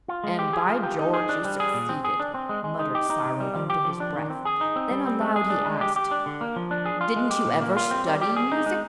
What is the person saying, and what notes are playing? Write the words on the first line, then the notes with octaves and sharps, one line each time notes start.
"And, by George! you succeeded," muttered Cyril under his breath; then aloud he asked: "Didn't you ever study music?"
F4
G#3
G4
G#4
F4
G4
D#4
G#4
D4
G3
G#4
A#2
C4
G#4
D4
C4
G#3
G#3
D#4
G4
D#4
C3
G3
F3
G4
F3
D4
D#3
C4
G#4
D#4
C4
G3
C4
G#3
G#4
D4
G#3
G4
G4
D4
D3
A#3
F3
D4
G#4
F4
G#3
G4
A#2
A#3
F4
C4
G3
G4
G#4
D#4
G#3